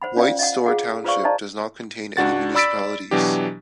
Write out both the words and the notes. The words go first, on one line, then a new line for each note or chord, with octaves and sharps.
White Store Township does not contain any municipalities.
C5 F#5 B5
C#4 F4 D5 F5
D#5 F5 F#5
F4 G#4 F5 F#5
F4 B4 C5 D5 F5 C#6
C5 D5 D#5 F5 A5 A#5
C#2 D4 F#4 F#5 A6
D5 B5 E6 A6 B6 D7
B2 E3 F#3 D4 G4